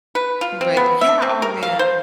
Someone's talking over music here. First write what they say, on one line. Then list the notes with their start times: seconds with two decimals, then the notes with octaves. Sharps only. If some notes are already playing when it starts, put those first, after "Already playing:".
But yeah, oh, man.
0.15 B4
0.41 F4
0.61 C4
0.77 B3
1.01 E5
1.22 C4
1.42 A#4
1.63 F5
1.79 C5